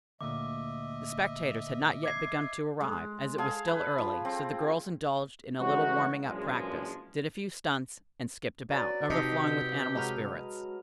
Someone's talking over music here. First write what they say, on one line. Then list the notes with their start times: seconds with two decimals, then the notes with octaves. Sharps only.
The spectators had not yet begun to arrive, as it was still early, so the girls indulged in a little warming-up practice, did a few stunts and skipped about, overflowing with animal spirits.
0.21 D2 A#2 D#5 E5 D6
2.04 D6 G#6 C7
2.81 G#3
3.38 G#4 F5 G#5 A5
3.68 B4
3.98 F3
4.25 C4
5.60 E3 G#3 A3 C#4 D#4 F#4
6.27 A#1 F#2 A#2 E3 F3 G#3
8.71 F#3 B4 D5
9.10 C3 D#4 G4 D#5 A5
9.96 F#3 G#3 F#4 B4 F6